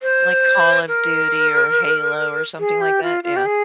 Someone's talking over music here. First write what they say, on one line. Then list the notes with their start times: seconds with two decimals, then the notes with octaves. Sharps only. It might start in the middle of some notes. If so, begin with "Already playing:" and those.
Like, Call of Duty or Halo or something like that, yeah.
0.02 C5
0.88 A#4
2.59 G#4
2.81 G4
3.03 F4
3.24 F4
3.36 G4
3.46 G#4